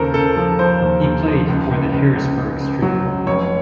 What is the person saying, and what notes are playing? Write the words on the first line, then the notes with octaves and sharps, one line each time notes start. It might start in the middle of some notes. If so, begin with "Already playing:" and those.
He played for the Harrisburg–St.
Already playing: D#2 C#3 A4 A#4 C5
C#3 A4
F3 A4
F3 C5
D#2
D#2
F3
C#2
C#2
C#2
C#2
C#2
C#2
F#3
C#2
F1 C#5